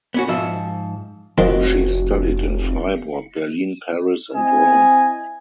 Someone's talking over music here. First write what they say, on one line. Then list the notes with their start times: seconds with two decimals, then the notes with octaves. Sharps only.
She studied in Freiburg, Berlin, Paris and Rome.
0.14 B3 C#4 F#4
0.28 G#2 F3 E5
1.38 F1 G#2 D#3 F3 F#4
4.34 C4 E4 D#5 G#5